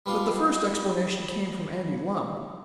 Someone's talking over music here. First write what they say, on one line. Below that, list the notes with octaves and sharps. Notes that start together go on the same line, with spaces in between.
But the first explanation came from Andy Lumm.
G3 B3 D4 F4